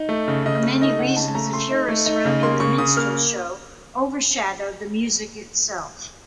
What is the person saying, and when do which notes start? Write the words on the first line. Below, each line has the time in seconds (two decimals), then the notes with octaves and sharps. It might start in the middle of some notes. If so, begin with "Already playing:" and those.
For many reasons, the furor surrounding "The Minstrel Show" overshadowed the music itself.
Already playing: D#4
0.09 A3
0.28 C#3
0.46 C#3 D#5
0.63 A3
0.81 D#4 D#5
0.99 C#3 F#5
1.16 C#3 A5
1.28 A5
1.35 A3 A#5
1.53 A3 C6
1.71 D#4
1.88 A3
2.06 D#4
2.25 C#3
2.43 A#3 C6
2.60 C#3 C#6
2.78 C#3 D#6
2.97 A#3 F6